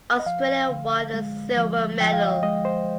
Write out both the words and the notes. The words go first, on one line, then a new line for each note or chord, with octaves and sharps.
Australia won the silver medal.
D#5
F3 F5
D3
G#3
F3
F3 G5
F5
D#5
G#3 D#5
C5